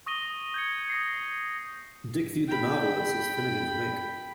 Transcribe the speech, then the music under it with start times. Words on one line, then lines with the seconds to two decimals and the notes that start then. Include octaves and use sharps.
Dick viewed the novel as his "Finnegans Wake".
0.06 C#6 D#6 A#6 D#7 G7
0.54 G6 G#6 C#7
0.90 D#6 A#6 C7
2.47 G5 B5